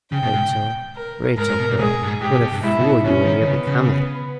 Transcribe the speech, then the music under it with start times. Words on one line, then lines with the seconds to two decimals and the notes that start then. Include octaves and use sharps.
Rachel, Rachel, girl! what a fool you were near becoming!'
0.12 C#3 G5
0.23 B2
0.33 G#2
0.96 A#4
1.37 G#2 A#4
1.48 G#2
1.59 B2
1.69 A#2
1.79 G#2 G#4
2.03 G2
2.07 G#2
2.21 G#2 G4
2.31 B2
2.42 B2
2.53 G2
2.63 G#2 E4
2.79 C#3
2.83 B2
3.05 B2 C#4
3.25 D#3
3.41 D#3
3.47 C#3 B3
3.67 C#3
3.88 B3